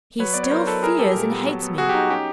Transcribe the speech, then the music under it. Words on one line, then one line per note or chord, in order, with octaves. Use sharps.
He still fears and hates me.
F#3 B4 C#5
B3 D5
C#5
F#3 A#4 C5
E4 A4 B4
E4 G#4 A#4
G3 G4 A4
A#2
B3
F#3
B3
F#3 F#4 G#4
G4
D#4
C#4 G4